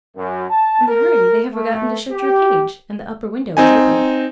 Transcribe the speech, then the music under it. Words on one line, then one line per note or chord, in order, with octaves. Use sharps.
In the hurry they have forgotten to shut your cage, and the upper window is open.
F#2
A5
A#4
A3
G4
C4 D#4 G#5